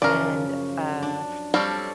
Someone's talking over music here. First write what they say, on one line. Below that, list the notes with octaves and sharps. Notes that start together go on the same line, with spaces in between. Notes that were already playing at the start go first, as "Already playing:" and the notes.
And, uh,
F#2 C#3 F3 A#4 D5
D4
F3 G3 C4 A4 C#5 D5